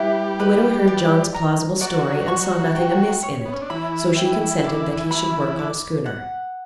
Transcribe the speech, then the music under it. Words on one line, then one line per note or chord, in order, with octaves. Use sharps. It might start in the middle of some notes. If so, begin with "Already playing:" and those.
The widow heard John's plausible story, and saw nothing amiss in it, so she consented that he should work on a schooner.
Already playing: G3 E4 G4 B4
B4
D5
A#5
F#3 F#4 D5
C#6
G5
C#5
B3
C#4
D4
E3 E4 B5
G5
D6
B5
D6
F#5